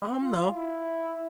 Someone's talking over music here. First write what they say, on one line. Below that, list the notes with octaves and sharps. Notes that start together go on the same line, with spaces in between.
Um, no,
F4
E4